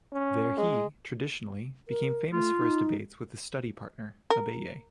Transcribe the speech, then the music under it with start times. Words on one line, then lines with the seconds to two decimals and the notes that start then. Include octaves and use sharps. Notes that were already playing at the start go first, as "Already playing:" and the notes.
There he, traditionally, became famous for his debates with his study-partner Abaye.
0.13 C#4
0.58 G#3
1.88 A#4
2.33 A3 F4
2.58 D#4
4.30 A#4